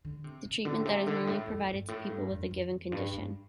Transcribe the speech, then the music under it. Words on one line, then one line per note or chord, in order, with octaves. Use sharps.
The treatment that is normally provided to people with a given condition.
D3
C3
C3
D3
A2
C3
D3
G2
A2
F2
G2
A2
G2
F2
F2
F2
G2
G2